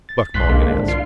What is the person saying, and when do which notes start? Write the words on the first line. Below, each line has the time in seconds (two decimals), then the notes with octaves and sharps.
Buck Mulligan answered.
0.09 A6
0.34 B1 C6 F#6 B6
0.49 C2 D3 G#3 A#3
0.71 G#1 D4
0.88 F4 C7